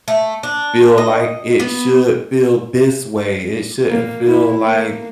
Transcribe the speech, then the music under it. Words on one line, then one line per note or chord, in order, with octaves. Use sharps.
feel like, "It should feel this way. It shouldn't feel like,
A3
D4
D#5
B3
A#3
E4
A#3